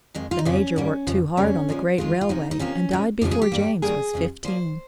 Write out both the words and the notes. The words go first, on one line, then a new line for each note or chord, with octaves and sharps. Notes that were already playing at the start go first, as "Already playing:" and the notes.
The major worked too hard on the great railway and died before James was fifteen.
F2 D#3 G#3
F4
D#4
F2 C#3 F3 C#4
G#2 G3 A#3
F2 C#3 F3
F2 C#3 G3 A#3 C#4
A#2 F3 G#3
F2 D#3 G#3 F4
F4
C3 F3 G#3 D#4
D#4
C3 F3 A#3 C#4
A#2 G#3
F2 C#3 F3 G#3 G4
G#4
G4
G2 G3 A#3
G2 D#3 G3 A#3 G#4
F2 C#3 F3
A#2 F3 A#3 C5